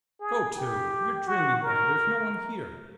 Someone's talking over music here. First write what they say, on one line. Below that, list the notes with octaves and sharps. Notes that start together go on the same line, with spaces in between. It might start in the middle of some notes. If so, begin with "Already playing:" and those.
'Go to!--you're dreaming, man!--there's no one here.'
G#4
G4
F#4
A#4